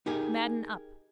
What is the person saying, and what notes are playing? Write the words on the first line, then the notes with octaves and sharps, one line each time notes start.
Madden up.
D#4 G4 G#4 A#4 G#5